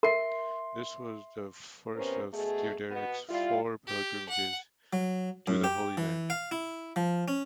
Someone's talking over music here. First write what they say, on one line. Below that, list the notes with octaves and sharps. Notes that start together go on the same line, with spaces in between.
This was the first of Theoderic's four pilgrimages to the Holy Land.
A#4 E5 C6 C7
C3 B3 C#4 A#4 C5
B2 A3 G#4
B2 B3
G3 E4 F4
G4
F#5
F#3
F#2
G4
E3
F5
E4
F3
C#4